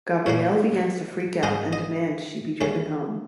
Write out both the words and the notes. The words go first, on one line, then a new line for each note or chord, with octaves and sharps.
Gabrielle begins to freak out and demands she be driven home.
A#1 A#2 F3 A#3 C#5
G#2 D#3 G#3 D#4 D#5
D#5
D#2 D#3 G#3 C#4